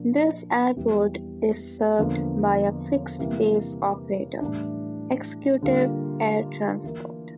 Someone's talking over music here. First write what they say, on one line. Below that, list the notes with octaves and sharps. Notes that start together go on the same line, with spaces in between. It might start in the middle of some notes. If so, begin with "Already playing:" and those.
The airport is served by a fixed-base operator, "Executive Air Transport".
Already playing: A#2 F3 A#3 D4
E2 E3 G3
E2 D3 F3 A#3
C3 E3 G3 A#3 E4
A2 E3 G3 D4
D3 G3 A#3 F4
E3 A#3 E4 A#4